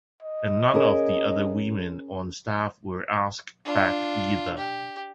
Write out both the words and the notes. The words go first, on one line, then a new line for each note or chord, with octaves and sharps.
And none of the other women on staff were asked back either.
D#5
C#4 G#4 A#4
D4 F4
G4